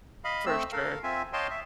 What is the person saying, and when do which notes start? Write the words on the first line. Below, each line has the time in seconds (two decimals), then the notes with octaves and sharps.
For sure.
0.24 D#5 F5 B5
0.46 A3 C4 E6
0.72 A4 A#4 F5
1.03 C4 F4 E5 G#5
1.33 C#5 D#5 F5 G5 A5 C6
1.50 E5